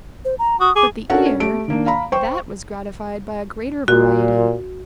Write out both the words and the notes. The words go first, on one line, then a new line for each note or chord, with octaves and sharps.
But the ear--that was gratified by a greater variety.
C5
A#5
F#4 D#6
G#4 D6
C#4 D4 F#4 A4 A#4 F#5
C#4
A3 G4 D7
D#3 A#3 D4
F5 A#5 B5
C5 G5 C#6
A#2 F#4